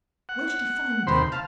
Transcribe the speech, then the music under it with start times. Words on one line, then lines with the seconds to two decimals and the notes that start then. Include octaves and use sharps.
Where did he find it?
0.29 F#5
1.07 D#2 C3 C5 B5 C6
1.32 F5 A5